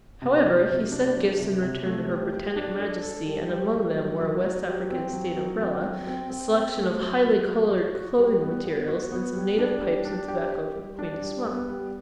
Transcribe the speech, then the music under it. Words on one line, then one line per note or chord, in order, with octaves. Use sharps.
However, he sent gifts in return to her Britannic Majesty, and among them were a West African state umbrella, a selection of highly coloured clothing materials, and some native pipes and tobacco for the Queen to smoke.
C3
F#3
C3
D4
F#3
C3
C3
A3
G3
G3
D4
A4
A4
G3
G3
G3
F#3
F#3
F#3
G4
C4
F#3
F#3
C4
F#3
C4
C4
C4
A3
F#3
F#3
F#3
F#4
F#4
G3
B3
B3
F#4
B3
G3
D4
G3
D4
G4
G4
G3
D4
G3
B3
G3